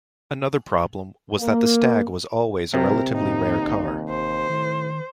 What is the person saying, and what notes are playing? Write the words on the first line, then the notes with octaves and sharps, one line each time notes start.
Another problem was that the Stag was always a relatively rare car.
A#3
C3 F#3 A#4
D#2 A2 D#4
A#1
A1 C5
A2 D#3